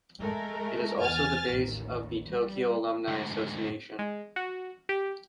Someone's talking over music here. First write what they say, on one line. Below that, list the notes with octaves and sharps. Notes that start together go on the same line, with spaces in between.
It is also the base of the Tokyo Alumni Association.
G#3 A3 A#4
E2 G#5 F6 A6
A1 D#2
G3
D2 G#2
G#3
F#4
G4